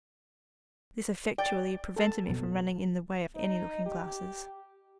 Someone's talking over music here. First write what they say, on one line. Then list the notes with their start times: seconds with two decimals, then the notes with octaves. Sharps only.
This effectually prevented me from running in the way of any looking-glasses.
1.38 D5 G5
1.96 A4 A5
2.29 A#1 B2 F#3
3.35 D#4
3.86 G4